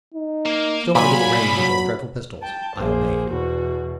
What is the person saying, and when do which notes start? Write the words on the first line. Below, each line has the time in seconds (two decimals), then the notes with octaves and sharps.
Still under the range of those dreadful pistols, I obeyed.
0.14 D#4
0.46 A#3
0.95 C2 A#2 F#3 G#5 B5
1.56 F#3
2.42 G5 A5
2.76 A#1 A#3 G#4 C5
3.30 E2 B2 F#4